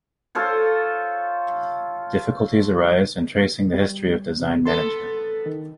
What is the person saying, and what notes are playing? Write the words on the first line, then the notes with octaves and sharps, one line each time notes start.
Difficulties arise in tracing the history of design management.
F4 A4 C5 C#5
G3
C3
B3 A4 C6
D#3